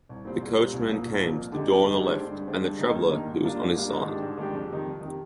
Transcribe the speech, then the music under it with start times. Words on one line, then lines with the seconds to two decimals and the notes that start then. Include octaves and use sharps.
The coachman came to the door on the left and the traveler who was on his side.
0.09 C2
0.25 A#2 G3 C4
0.41 C2
0.57 A#2 G3 C4
0.73 C2
0.88 A#2 F3 A#3
1.04 C2
1.20 A#2 F3 A#3
1.35 F2
1.52 D3 G#3 D#4 G4
1.68 F2
1.84 D3 G#3 D#4 G4
1.99 G2
2.15 D3 G#3 C4
2.31 G2
2.47 D3 G#3 C4
2.63 G2
2.79 D#3 A#3 D#4
2.95 G2
3.10 D#3 A#3 D#4
3.26 G#2
3.42 G3 A#3 D4 F4
3.59 G#2
3.75 G3 A#3 D4 F4
3.89 G#2
4.06 D#3 G#3 D4 G4
4.22 G#2
4.37 D#3 G#3 D4 G4
4.53 F2
4.70 C3 D#3
4.86 F2
5.01 C3 D#3